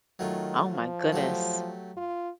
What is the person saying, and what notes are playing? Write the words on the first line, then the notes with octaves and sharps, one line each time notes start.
Oh my goodness.
D#3 F#3 A3 F4
F3
F#3 A3 G4
F4